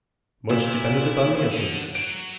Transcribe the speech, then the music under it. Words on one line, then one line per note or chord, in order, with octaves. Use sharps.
Much depended upon the answer.
A#2 E4 E5
D3
F#3 D7